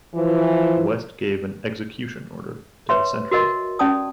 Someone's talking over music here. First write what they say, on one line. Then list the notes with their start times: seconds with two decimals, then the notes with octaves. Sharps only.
West gave an execution order to the sentries.
0.14 E3 F3
2.89 B4 C#5 E5 C6
3.31 F#4 A#4 D#5 C6
3.79 C#4 D5 A5 D#6